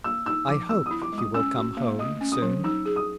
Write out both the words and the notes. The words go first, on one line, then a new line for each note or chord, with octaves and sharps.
I hope you will come home soon.
A#3 E6
D#4 E6
F3 D6
B3 E6
E4 D#6
D6
G#3
D#6
C#4 E6
F#4
A#3
A3 D#6
C#4
D#6
F#3
D#4 E6
G#4
D#6